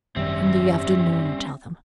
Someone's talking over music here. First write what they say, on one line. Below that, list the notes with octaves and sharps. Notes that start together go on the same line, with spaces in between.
'In the afternoon, tell them.
G#1 F#2 D#3 G3 C4 C#4 E5